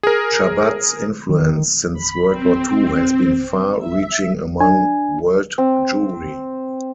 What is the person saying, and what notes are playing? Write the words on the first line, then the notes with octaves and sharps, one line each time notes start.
Chabad's influence since World War Two has been far reaching among world Jewry.
G#4 A#4
D#3
B5
C4
E5
D4 G#5
C4